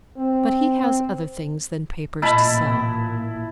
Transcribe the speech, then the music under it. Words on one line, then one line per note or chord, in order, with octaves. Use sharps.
But he has other things than papers to sell.
C4
A1 A#2 E4 A5 B5